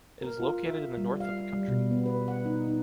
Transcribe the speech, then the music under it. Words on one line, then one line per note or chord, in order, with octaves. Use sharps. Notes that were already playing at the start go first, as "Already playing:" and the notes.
It is located in the north of the country.
A#4
F4
E5
G3
F5
G3
B2
B3
B4
F#5
D#4
D#4